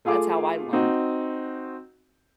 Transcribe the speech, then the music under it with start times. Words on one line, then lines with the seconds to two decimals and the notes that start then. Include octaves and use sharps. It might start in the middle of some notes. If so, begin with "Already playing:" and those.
that's how I learned.
0.05 A3 F4 G#4 F5 D6
0.73 C4 D#4 F#4